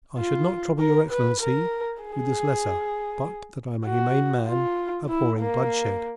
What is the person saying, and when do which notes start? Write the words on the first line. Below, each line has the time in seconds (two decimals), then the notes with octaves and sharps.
I should not trouble your excellency with this letter but that I am a humane man, abhorring bloodshed.
0.19 F4
0.80 A#4
1.10 B4
1.41 A#4
2.03 G#4
3.87 F#4
4.48 F4
5.09 E4
5.40 A#3